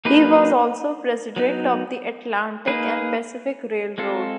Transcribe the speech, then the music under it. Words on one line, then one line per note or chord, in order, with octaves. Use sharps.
He was also president of the Atlantic and Pacific Railroad.
F#3 A#3 D#4 G#4 B4
F#3 B3 D#4
A#3 D#4 G#4 B4
G#3 C4 F4 A4